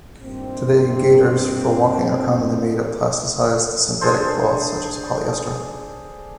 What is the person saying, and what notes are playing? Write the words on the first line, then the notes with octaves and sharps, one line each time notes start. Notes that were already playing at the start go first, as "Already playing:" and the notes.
Today, gaiters for walking are commonly made of plasticized synthetic cloth such as polyester.
G2 A#2 D#3 A#3 C4
D4 G#4 A4 C5